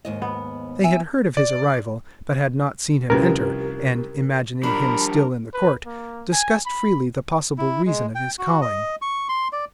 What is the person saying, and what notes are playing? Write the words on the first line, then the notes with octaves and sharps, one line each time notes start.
They had heard of his arrival, but had not seen him enter, and, imagining him still in the court, discussed freely the possible reason of his calling.
D#2 G#2 D#5
B3
E5 G#5
D5
C2 F3 C#4 G4 A#4 B4
F3 G3 D4 A#4 B5
B4
A#3
G#5
B5
E4
G#3
G5
F#4
D#5
C#6
C6
D5